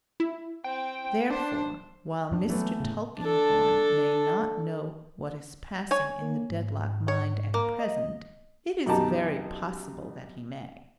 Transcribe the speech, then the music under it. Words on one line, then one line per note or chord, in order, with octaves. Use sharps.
Therefore, while Mr. Tulkinghorn may not know what is passing in the Dedlock mind at present, it is very possible that he may.
E4
C4 G5
D4 C5
F2 F3 D4
E3 F#3 A3 B3
A2 C#3
D4 A4
C#5 G#5
A#3
G#2
C#5
A#3
D#5
B1 F#2 D#4 G4 A5 A#5